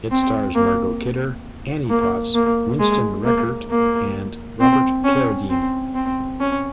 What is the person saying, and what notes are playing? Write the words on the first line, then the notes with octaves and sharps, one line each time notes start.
It stars Margot Kidder, Annie Potts, Winston Rekert and Robert Carradine.
C4
A#3
A#3
A#3
G#3
A#3
A#3
C4
C#4
C4
C4
C#4